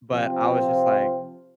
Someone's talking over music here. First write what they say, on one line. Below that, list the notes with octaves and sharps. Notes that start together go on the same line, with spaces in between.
but I was just, like,
C3 F3 C4
F4